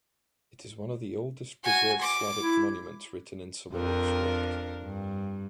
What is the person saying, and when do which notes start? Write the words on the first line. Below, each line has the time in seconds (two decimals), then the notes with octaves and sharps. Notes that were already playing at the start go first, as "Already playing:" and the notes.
It is one of the oldest preserved Slavic monuments written in Cyrillic script.
1.64 F#4 G#5
2.01 D6
2.41 E4
3.73 F2 D4 A#4
4.83 G2